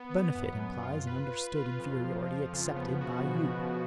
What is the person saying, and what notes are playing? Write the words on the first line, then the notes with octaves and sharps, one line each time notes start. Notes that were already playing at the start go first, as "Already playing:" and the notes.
A benefit implies an understood inferiority accepted by you.
Already playing: B3
B3
F#2
F#2
F4
B4
B4
F4
F2
F3
F3
C#3
B3
F#4
B2
B2